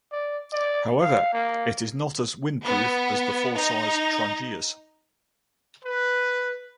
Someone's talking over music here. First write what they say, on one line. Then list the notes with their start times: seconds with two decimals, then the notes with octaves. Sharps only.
However, it is not as windproof as the full-size Trangias.
0.12 D5
0.53 D5
1.01 F5
1.33 A#3
2.64 B3
3.56 D#4
5.85 B4